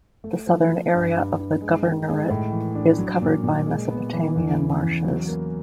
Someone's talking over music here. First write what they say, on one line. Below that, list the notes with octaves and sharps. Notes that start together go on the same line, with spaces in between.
The southern area of the governorate is covered by Mesopotamian Marshes.
A3
F3
F3
G2
G2
G2
G#3
D#3
G#3
A2
E3
D4
F#3
A#2
A#2
G#3
B3
E3
E2
C#3
E2
F#3
A#3